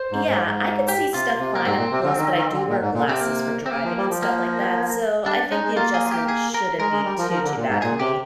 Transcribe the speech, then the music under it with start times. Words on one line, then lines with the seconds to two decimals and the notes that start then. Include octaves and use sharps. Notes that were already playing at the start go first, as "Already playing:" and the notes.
Yeah, I could see stuff fine up close, but I do wear glasses for driving and stuff like that, so I think the adjustment shouldn't be too, too bad for me,
Already playing: C5
0.12 G#2
0.29 G#2
0.46 G#2
0.88 G4
1.14 C3 F4
1.40 C3
1.55 A#3
1.65 G#2 C4
1.78 A#2
1.91 C3
2.04 D3
2.18 D#3
2.35 D#3
2.52 D3
2.68 A#2
2.81 G#2
2.94 A#2
3.07 C3 C4
3.20 A#3
3.66 C4
3.71 A#3
3.84 F3
3.97 G3
4.10 F3
4.22 A#3
5.25 G3 D4
5.51 G#3 D#4
5.64 G#3
5.77 A#3 F4
5.94 G#4
6.06 F4
6.11 G4
6.28 G#4
6.54 A#4
6.80 G#3 A#4
6.93 G#3
7.05 G3
7.18 F3
7.31 F3
7.44 D3
7.57 A#2
7.70 G#2
7.82 A#2 G#4
7.99 C3 G4